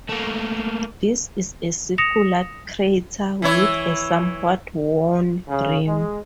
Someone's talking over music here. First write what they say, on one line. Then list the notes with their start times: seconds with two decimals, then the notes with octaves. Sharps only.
This is a circular crater with a somewhat worn rim.
0.10 A3 A#3
1.98 D#6 A#6 C#7 E7 F7
3.42 E3 E4 C#5
5.48 C#3
5.87 G#3